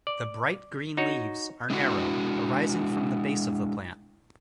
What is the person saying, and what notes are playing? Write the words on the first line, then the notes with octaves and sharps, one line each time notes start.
The bright green leaves are narrow, arising from the base of the plant.
D5
D#4 F#4 C#5
G#3 D4 E4 F#4